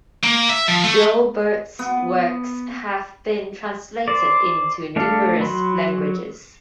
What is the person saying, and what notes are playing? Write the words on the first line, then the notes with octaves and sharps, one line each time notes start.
Joubert's works have been translated into numerous languages.
A#3
E5
F3
A3
B3
C5 D5
A3 D4 A4 F5
F#3 B5 C6